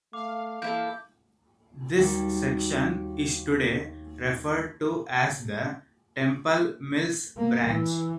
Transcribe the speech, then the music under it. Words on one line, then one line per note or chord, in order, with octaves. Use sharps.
This section is today referred to as the Temple Mills branch.
A3 F5 D6
E3 A#3 E4 A4 G6
D#2 G3 F#4
A#3
E3